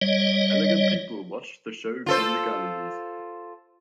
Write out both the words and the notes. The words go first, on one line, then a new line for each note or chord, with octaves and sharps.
Elegant people watched the show from the galleries.
G3 C#5 D#5
F4 A4 C5